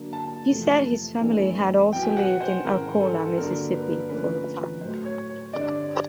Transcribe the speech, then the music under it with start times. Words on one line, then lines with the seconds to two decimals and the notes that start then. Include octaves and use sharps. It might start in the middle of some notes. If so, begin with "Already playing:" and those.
He said his family had also lived in Arcola, Mississippi, for a time.
Already playing: D3 F#3 A#3 D4
0.13 A5
0.48 F2 C3 E3 A3
1.20 G2 E3 A3 C4 E4
1.93 B2 F#3 B3 E4 G5
2.02 G#5
2.09 G5
2.17 F#5
2.40 C5
2.64 G#2 D#3 G#3 C#4 E4 A#4
3.01 A4
3.37 G2 D3 F#3 A#3 D4 A#4
3.73 B4
4.09 D3 F3 A3 C#4 B4
4.81 A2 F#3 A3 C5
5.05 C#5
5.29 C#5
5.53 G2 D3 G3 D5